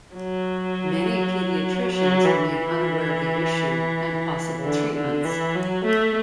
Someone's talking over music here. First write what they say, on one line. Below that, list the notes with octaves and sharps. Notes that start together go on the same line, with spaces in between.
Many pediatricians remain unaware of the issue and possible treatments.
F#3
F#3
E3
E3
D3
D3
E3
F#3
A3